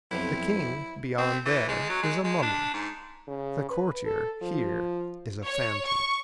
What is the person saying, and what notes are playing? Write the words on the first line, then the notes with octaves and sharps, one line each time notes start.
The king, beyond there, is a mummy; the courtier, here, is a phantom.
B1 F2 C3 E4
C4
E3
G#3
F#3
G#3
G#3
D4
G#2
C#3
B4
A4
F3
C#5
C#6